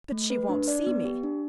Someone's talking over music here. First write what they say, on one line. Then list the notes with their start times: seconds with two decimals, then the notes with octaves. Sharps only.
"But she won't see me."
0.12 A3
0.30 B4
0.49 D4
0.68 D5
0.87 B3
1.05 G4
1.23 D4